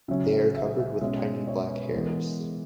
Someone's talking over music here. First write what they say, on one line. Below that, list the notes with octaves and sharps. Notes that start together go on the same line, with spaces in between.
They are covered with tiny black hairs.
C#3 F#3 C#4 E5
E5
E5
B2 G#3 C#4 E5
C#5
B4
E3 G#3 B3 A#4
G#4